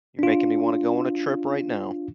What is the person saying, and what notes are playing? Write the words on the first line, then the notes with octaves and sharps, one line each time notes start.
You're making me wanna go on a trip right now.
D4 F4